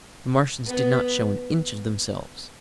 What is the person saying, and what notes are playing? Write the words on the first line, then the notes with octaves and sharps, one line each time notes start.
The Martians did not show an inch of themselves.
B3